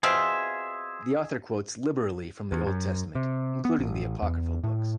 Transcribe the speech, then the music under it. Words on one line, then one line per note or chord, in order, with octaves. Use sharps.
The author quotes liberally from the Old Testament, including the apocryphal books.
B2 C4 F4 G#4 E5
E2
F#2
C3
B3
A1
E2
A2